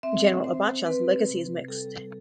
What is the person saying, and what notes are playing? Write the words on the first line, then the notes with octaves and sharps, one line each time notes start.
General Abacha's legacy is mixed.
C4 E5
C4 C5
C4 B4
C3
G3 A4